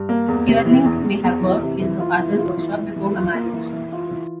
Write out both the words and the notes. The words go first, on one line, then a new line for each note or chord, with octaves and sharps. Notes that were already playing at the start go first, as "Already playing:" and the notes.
Teerlinc may have worked in her father's workshop before her marriage.
Already playing: G2
A#3
E2
C3
E3
E2
E2
E2
E3
C3
E3
F4
E3
F4
E3
E3
E3
F4
A#3
E3
E3
F4
E3